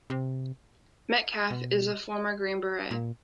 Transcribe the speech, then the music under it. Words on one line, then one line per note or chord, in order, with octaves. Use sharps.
Metcalf is a former Green Beret.
C3
B2
A#2